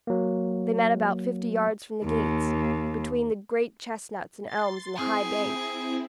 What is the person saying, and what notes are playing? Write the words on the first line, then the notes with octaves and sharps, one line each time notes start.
They met about fifty yards from the gates, between the great chestnuts and elms and the high bank.
F#3 A#3
D#2
C6 A6
C4 E4 G#4